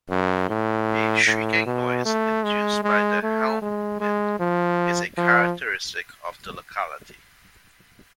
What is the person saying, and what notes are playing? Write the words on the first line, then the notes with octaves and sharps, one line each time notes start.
A shrieking noise induced by the Helm Wind is a characteristic of the locality.
F#2
A2
A2
B2
A3
G#3
G#3
A3
G#3
G#3
F3
F3